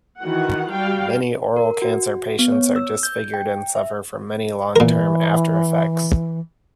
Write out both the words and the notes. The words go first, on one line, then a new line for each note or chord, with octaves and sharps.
Many oral cancer patients are disfigured and suffer from many long term after effects.
D#3 E3 F#4 F#5
G3 F#4 F5 G5
A#4
F#4
B3
C#5
E6
G6
G5
E5
A#2 E3 A#4